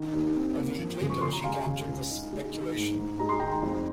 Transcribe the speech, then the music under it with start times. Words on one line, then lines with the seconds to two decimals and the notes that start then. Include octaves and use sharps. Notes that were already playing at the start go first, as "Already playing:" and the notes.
A week later she captured the "Speculation".
Already playing: D#3
0.13 D#2
0.36 C4
0.57 A#3
0.79 F3
1.02 C#3
1.10 C#6
1.21 C#3 C6
1.33 A#5
1.44 G#3 F5 G#5
1.66 C#3
1.88 C#2
2.10 D#4
2.33 G#3
2.54 D#3
2.76 G#2
2.98 G#2
3.19 G#3 A#5
3.29 C6
3.40 D#3 G5 A#5
3.63 F2